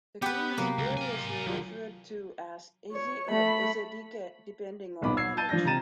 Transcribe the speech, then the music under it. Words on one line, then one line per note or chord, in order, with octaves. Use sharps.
The King is variously referred to as "Eze" or "Ezedike", depending on lineage.
B3 G4 B4
C3 F#3 A#3
C#2
A#4 G#5
C2 D3 D#3 F#3 F4
C#5
A3 B5
D#1 B1 B3 B5 D6
E6 G#6 C7
A5 G6 A6 D#7
F3 D4 D5 G6 A#6
C3 G4 A#5 A6 D#7 E7